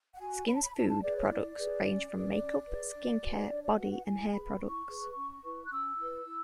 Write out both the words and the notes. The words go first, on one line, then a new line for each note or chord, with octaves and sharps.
Skin Food's products range from makeup, skin care, body and hair products.
F#5
F#4 G#5
C#5 B5
A5
B5
E4 A5
A5
G#4 B4 D5
C#5
E4 D5
G#4 B4
C#4
G#4 B4
C#4
G#4 B4
D4
F#4 B4
D4 C#5
D5
F#4 B4 F#5
F#5
E4 G#5
G#4 B4 B5
E4 C#6
G#4 B4
C#4
E4 B4
F#6
C#4 E6
E4 B4
E4